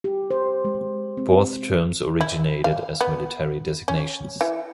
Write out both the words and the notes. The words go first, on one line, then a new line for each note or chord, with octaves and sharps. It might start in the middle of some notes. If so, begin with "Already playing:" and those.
Both terms originated as military designations.
G4
C5
G#3
C4
E4
F5
B3
C#4
E3